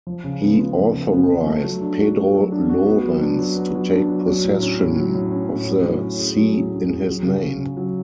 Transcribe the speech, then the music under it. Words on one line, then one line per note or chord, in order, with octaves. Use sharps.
He authorized Pedro Llorens to take possession of the see in his name.
F3
C#3
B3
F4
F3
C#3
B3
F4
A3
F#3
D4
F#4
A3
F#3
D4
F#4
B3
F#3
D4
F#3
B3
F#3
D4
F#3
F#3
A2
C#4
A2
F#3
A2
C#4
A2
F#3
A2
C#4
G#4
F#3
A2
C#4
G#4
F#3
C#3
C#4
C#3
F#3